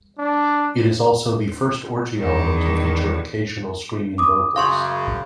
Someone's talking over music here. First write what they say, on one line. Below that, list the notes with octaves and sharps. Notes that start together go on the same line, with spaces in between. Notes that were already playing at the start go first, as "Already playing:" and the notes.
It is also the first Orgy album to feature occasional screaming vocals.
D4
E2 D#3
D6 D#6
F#2 C#3 F5 C6 C#6